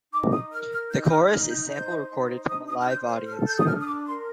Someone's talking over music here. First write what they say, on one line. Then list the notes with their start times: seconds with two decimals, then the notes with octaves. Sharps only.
The chorus is sample recorded from a live audience.
0.12 D#4 D6
0.32 D#6
0.52 A#4 F6
0.72 F6
0.91 D#4 G6
1.04 G6
1.11 F6
1.26 G6
1.30 D#4 F6
1.50 G6
1.70 C5 G6
2.09 D#4
2.48 D4 D#6
2.68 D#6
2.81 F6
2.88 C5 G6
3.08 F6
3.27 A4 F6
3.47 G6
3.59 D#6
3.66 D4 F6
3.81 D#6
3.86 D6
4.06 A#4 C6